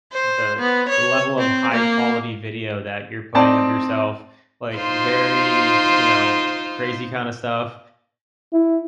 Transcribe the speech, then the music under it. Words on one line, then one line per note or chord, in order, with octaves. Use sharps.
the level of high quality video that you're putting of yourself, like, very, you know, crazy kinda stuff,
C5
B3
C#5
C4
A#3
C4 D#4 D5 A5
D#4 F4 C5
E4